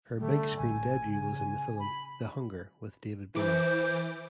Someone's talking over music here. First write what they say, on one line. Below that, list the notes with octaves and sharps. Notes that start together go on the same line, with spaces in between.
Her big screen debut was in the film "The Hunger" with David Bowie.
D3 G3 A3
A1 G#5
C#3
B5
E3 C5 D6